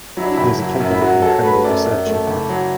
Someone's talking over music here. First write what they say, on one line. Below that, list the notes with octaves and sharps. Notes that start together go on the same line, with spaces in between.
He is a capable and credible researcher.
F#3 E4
D4
F#1 E4
F#3
F#2
E4
F#3 F#4
F#3 A4
A3 B4
F#2 D5
F#2
A3
F#1
F#3